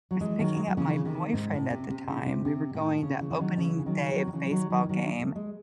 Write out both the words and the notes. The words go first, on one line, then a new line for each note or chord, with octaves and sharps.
I was picking up my boyfriend at the time. We were going to opening day of baseball game,
F#3
E3 G#3
D#3 F#3
G#3
F#3
C#3 E3
C3 D#3
G#2
A2
C3
C3
C#3
C3
C3
A2
C#3
C#3 E3
E3
D#3 F#3
C#3 E3
E3
D#3 F#3
D#3 F#3
D#3
C#3 E3
D#3 F#3
D#3 F#3
E3
D#3 F#3
A3
G#3